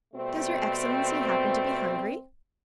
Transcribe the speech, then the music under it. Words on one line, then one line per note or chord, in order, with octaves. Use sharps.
"Does your excellency happen to be hungry?"
B2 G3 A3 C4